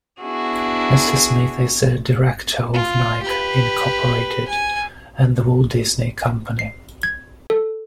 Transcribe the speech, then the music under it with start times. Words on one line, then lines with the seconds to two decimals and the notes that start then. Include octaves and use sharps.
Mr. Smith is a director of Nike, Incorporated and The Walt Disney Company.
0.21 B3 D4 E4 F#4 G#4
2.74 F4
3.22 G4 B4
4.48 G#5
6.59 C7
7.03 G#6
7.50 A4